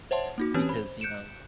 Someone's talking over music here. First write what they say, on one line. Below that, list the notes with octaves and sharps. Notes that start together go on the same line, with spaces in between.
Because, you know,
C5 C#5 E5 F#5 A5 C6
A#3 D#4 F#4
E3 C4 C#4 G4 B4 C#5
C5 B5
F#6 G6 C#7 D7 E7